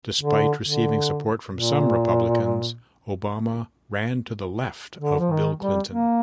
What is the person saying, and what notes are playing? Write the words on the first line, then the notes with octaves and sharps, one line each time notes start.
Despite receiving support from some Republicans, Obama ran to the left of Bill Clinton.
D3
D3
A#2
D3
F3
D#3
G3
A#3